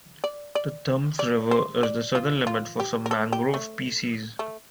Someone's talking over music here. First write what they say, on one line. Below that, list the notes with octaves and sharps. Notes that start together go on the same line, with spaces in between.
The Tumbes River is the southern limit for some mangrove species.
D5
D5
D5
C5
D5
F4
F4
G4
A#4
A4
G4
A3
A3